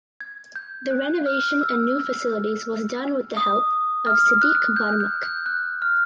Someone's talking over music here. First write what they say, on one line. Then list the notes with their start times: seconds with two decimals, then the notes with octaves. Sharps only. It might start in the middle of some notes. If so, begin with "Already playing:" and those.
The renovation and new facilities was done with the help of Siddiq Barmak.
0.21 G#6
0.56 G6
0.91 F#6
1.26 F6
1.61 E6
3.37 D#6
4.07 F6
4.42 F#6
4.76 G6
5.00 G6
5.23 G6
5.46 F#6
5.82 F6